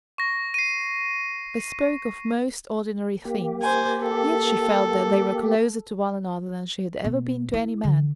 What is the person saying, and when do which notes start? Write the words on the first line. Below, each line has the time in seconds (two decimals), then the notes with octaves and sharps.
They spoke of most ordinary things, yet she felt that they were closer to one another than she had ever been to any man.
0.18 C#6 A#6
0.54 C7 D#7
3.25 A#3 G4
3.62 C5 G#5
4.03 A4
7.04 B2
7.54 E4
7.84 D3